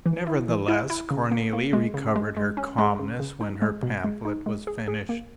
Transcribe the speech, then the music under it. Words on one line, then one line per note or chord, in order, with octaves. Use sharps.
Nevertheless Cornelie recovered her calmness when her pamphlet was finished.
E3
E4
E3
E4
E4
C#3
A#3
A#3
G#3
C#3
G#3
G#3
C#4
G#3
C#3
C#3
D#4
G#3
B2
G#3
D#4
G#3
G#4
G#4
A#3